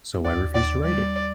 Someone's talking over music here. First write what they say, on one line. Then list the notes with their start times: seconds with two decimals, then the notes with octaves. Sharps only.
So I refused to write it.
0.24 D#2 D5
0.54 D#2 D5
0.83 G3 D5